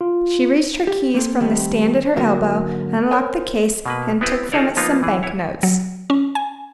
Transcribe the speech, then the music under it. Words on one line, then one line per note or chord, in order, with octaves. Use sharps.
She reached her keys from the stand at her elbow, unlocked the case, and took from it some bank-notes.
F4
G4
A#3 C4 A4
D#3 G3 A3 C4
G#2 D3 F#3 A#3 F#4
A#4 C5 C#5 G#5
B2 A#3 B4
B3 C4 E4 G4 B4 C5
D#4 F4 G#4 A4 C#5 D5
F3 A#3 B3 D#4 F4
E3 G#4
E4 C#5
F#3
C#4
G#5